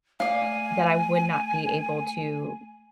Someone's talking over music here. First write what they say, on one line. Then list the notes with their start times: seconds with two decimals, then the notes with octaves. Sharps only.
that I would not be able to
0.20 A3 D5 F5 G#5